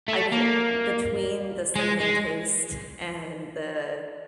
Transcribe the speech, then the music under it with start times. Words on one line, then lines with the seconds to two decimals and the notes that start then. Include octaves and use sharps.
I mean, uh, between the cinnamon toast and the
0.08 A3
0.32 A#3
1.76 G#3
2.00 G#3